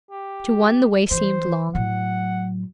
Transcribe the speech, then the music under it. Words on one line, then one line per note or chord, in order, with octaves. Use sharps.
To one the way seemed long.
G4
E3 C5
A2 F#3 F#5